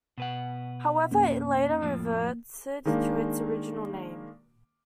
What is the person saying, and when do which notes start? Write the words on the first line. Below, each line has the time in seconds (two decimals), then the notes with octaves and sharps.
However, it later reverted to its original name.
0.18 B2 B4 F#5
1.11 F2 A#3 C#4
1.82 F2 A2 F3 A#3
2.21 A#3
2.85 D#3 G#3 A#3 D4